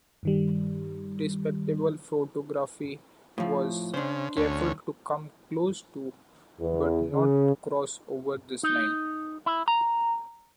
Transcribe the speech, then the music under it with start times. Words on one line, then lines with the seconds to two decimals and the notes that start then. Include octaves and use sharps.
"Respectable" photography was careful to come close to, but not cross over, this line.
0.23 G2 D#3 G3
3.38 A2 F3
3.94 C#3 D4 C5
4.37 D2 C#4
6.60 E2
7.12 C#3
8.63 D#4
9.46 E4
9.68 A#5